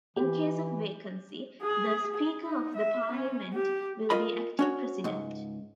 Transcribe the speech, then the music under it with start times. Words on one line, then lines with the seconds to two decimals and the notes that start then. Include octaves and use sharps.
In case of vacancy, the Speaker of the Parliament will be acting President.
0.16 E3 G4
1.62 G#4
2.15 G#4
2.45 D#4
2.76 E5
3.12 C#4
3.54 G4
4.10 F4 A#4 D#5 B5
4.59 C#4 F#4 C#5
5.04 C#2 G#2